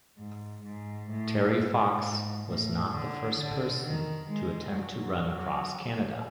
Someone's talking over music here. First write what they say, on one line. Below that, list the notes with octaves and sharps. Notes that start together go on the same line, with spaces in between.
Terry Fox was not the first person to attempt to run across Canada.
G#2
G#2
A2
G#2
A2
D3
D3
D#3
G#3
F#3